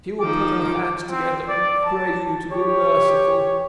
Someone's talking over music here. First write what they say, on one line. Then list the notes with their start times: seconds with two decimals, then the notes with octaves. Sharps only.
She will put her hands together and pray you to be merciful.
0.20 D#3 F3 D#4 D6
1.11 C4
1.49 D5
1.85 A5
2.51 G4 C#5